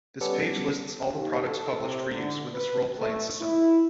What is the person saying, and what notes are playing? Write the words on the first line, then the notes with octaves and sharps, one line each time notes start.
This page lists all the products published for use with this role-playing system.
G3 B3 C#4 A4 D5 C#7
D#2
A4
C3
D3
B4
A3
E4